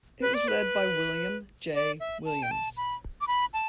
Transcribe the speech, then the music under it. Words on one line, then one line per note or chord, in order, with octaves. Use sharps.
It was led by William J. Williams.
B4
D5
B4
D5
E5
A5
G5
A5
B5
D6
B5
A5